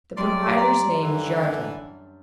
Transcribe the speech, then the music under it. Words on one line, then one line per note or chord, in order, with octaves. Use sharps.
The proprietor's name is Yardley.
F#2 G3 D5 C6
A#5 C6
D3 E3
D4